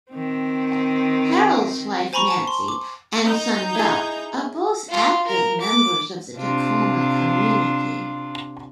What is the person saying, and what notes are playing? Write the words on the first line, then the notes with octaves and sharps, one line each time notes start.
Harold's wife, Nancy, and son, Doug, are both active members of the Tacoma community.
D#3 C4
C5 G#5 A#5 B5 C#6
G#5 A5
C6
D6
D#4 A#5 G6
E4 G#4
F4
A#4
D6
C3 D4 F4